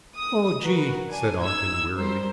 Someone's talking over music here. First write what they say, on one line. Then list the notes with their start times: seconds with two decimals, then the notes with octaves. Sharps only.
"Oh, Gee," said Ogden wearily.
0.18 D#6
0.64 F#4 A#4 B4
1.08 D4 G#5
1.42 D#4 E6 G#6
1.96 G3 A#4 C5